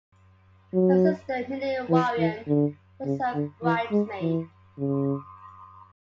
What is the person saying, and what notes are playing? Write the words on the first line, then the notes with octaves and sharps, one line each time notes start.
Her sister Minnie Warren was her bridesmaid.
F#3
E3
E3
D3
C#3
D3
E3
G#3
E3
C#3